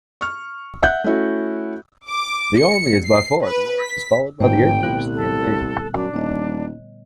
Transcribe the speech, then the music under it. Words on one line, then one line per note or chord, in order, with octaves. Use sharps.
The Army is by far the largest, followed by the Air Force and Navy.
C#6 F6
E5 F#5 F#6 G6
A3 C#4 E4 F#4
D6
C#7
C7
B4
B6
G#1 G#2 D3 A3 C5 G5
C2 A#2 G3 B3 F#6
A4
F#2 D4
D#1 C#5 D#5